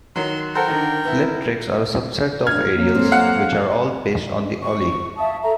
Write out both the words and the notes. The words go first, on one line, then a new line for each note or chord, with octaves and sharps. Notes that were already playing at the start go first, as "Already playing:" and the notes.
"Flip tricks" are a subset of aerials which are all based on the ollie.
D#3 F#3 C6
A4 A#4 C5 F#5 G5
D3 D#3
B3 E4
G2 A#2 F6 G#6
F#3 A#3
C4 A4
F5 F#5
C#6
E5 F5 A5 D#6
A4 E5 A#5